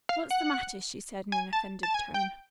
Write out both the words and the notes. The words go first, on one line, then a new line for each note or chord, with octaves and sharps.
"What's the matter?" she said in an offended tone.
F5
F#5
G#5
A5
A5
G#5
G5